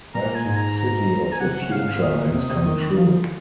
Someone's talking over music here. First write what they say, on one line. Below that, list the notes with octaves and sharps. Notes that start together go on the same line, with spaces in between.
That city of the future has come true.
A#2 A#5
G#5
G#2
A#5
A#5
A#5
G#5
C3 F#5
C#3
F5
G#2
G#2
A#2 D#5
A#2
C3
C3
D#3
F3